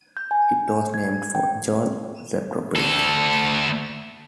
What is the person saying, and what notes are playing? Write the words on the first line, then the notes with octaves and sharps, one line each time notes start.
It was named for John Laporte.
G6
G#5
G#6
G5
D2 A4